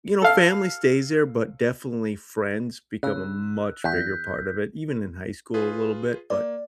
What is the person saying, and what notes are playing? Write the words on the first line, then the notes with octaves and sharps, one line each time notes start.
you know, family stays there, but definitely friends become a much bigger part of it, even in high school a little bit. But
A4 F5
C#3 E6 F#6
E2 F#6 G6 B6
F4 G#4 B4
A#3 D5